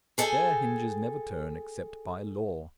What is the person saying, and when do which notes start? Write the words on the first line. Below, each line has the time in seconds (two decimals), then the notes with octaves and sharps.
Their hinges never turn except by law.
0.18 G#4 A4 D#5 E5 G5 G#5